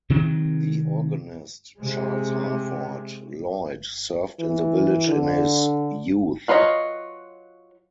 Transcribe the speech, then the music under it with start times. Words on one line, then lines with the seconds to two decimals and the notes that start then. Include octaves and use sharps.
The organist Charles Harford Lloyd served in the village in his youth.
0.10 C3 D#3 F#3 C4
1.77 C3 G#3
4.39 E3
5.08 D3
6.48 F#3 F4 B4 C#5 D#5